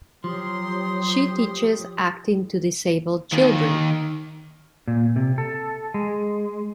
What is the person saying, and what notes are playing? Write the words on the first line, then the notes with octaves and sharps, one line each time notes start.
She teaches acting to disabled children.
F3 F#3 G4 C#5 C6 D#6
D#2 D#3
A#2
C3
A4
G#3